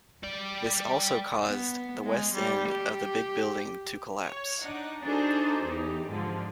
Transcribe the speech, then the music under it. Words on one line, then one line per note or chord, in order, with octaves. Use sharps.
This also caused the west end of the big building to collapse.
G3 D5
B3
G#3
G3
G4
C#5
D4 D#4 F#5
D4 D#4 F#4 G#4 A4 C5
E2 D#4 G4
G#2 D3 F3